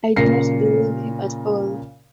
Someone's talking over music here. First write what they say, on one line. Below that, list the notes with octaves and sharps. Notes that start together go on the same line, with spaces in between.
I do not believe him at all!
A#2 C#3 A#4 A#6 C7 C#7